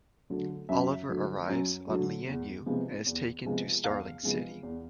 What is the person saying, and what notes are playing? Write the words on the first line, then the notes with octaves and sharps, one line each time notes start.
Oliver arrives on Lian Yu and is taken to Starling City.
D3 F#3 A3
F#2 E5
D3 F#3 A3
F#2
D3 F#3 A3
E2
C3 F3 G#3 B3
E2
C3 F3 G#3 B3
E2 F5
C3 F3 G#3 B3
E2